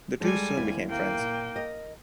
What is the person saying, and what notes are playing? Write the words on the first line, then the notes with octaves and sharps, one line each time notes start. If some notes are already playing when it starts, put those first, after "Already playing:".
The two soon became friends.
G3 G#3 A4 G#5
D#2 C4 E4
A#3 G5
A#2
A#4 D#5